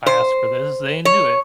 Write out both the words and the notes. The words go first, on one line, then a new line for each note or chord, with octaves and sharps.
asked for this, they didn't do it.
C5
C#5